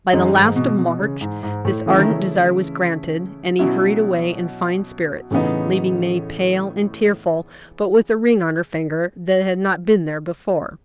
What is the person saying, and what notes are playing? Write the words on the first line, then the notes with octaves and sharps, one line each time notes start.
By the last of March this ardent desire was granted, and he hurried away in fine spirits, leaving May pale and tearful, but with a ring on her finger that had not been there before.
F#2 E3 G#3 D#4
G#2
B2
B2
C#3
G#2
G#2
A2
C#3 E3 A3 C#4 E4
D#3
C#3
B2 F#3 C#4 E4
A2 C#3 E3 B3 D#4